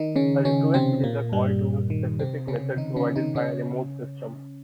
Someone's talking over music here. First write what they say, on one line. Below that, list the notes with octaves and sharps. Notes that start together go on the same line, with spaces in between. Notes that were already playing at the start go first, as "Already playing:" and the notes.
A request is a call to a specific method provided by a remote system.
Already playing: D#3 D#4
C#3 C#4
C#3 C#4
C3 C4
A#2 A#3
G2 G3
D#3
C3 C4
C#3 C#4
D#3 D#4
C#3 C#4
D#3 D#4
C#3 C#4